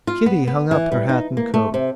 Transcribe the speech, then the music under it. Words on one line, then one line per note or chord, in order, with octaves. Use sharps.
Kitty hung up her hat and coat.
F4
B3
B3
E3
G3
D#4
A#3
A3
C3